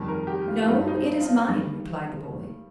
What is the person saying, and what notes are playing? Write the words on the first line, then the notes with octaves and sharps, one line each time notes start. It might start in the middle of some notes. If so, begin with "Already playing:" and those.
'No, it is mine,' replied the boy.
Already playing: F2 D#3 G3
A#4
G4
F4
F4
G2 G3 D#4
D#4
C4
F4
D#3 G3